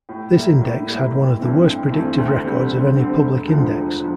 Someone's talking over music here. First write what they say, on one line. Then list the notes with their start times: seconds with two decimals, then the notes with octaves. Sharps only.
This index had one of the worst predictive records of any public index.
0.09 A2
0.35 G3 A#3 E4
0.61 A2
0.87 G3 A#3 E4
1.13 A1
1.39 G2 E3 A3 C4
1.65 A1
1.91 G2 E3 A3 C4
2.18 D2
2.43 D3 G3 C4
2.69 D2
2.95 D3 G3 C4
3.21 E1
3.48 D2 D3 F3
3.73 E1
4.00 D3 F3